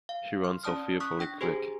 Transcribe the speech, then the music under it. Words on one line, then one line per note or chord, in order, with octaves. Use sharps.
She runs so fearfully quick.
F5
C6 F6
C#4 D5 A5 D#6 F6
C#6 D#6 F#6 B6
D4 G5 A#6
G4 G#4 C5 G#5 A#5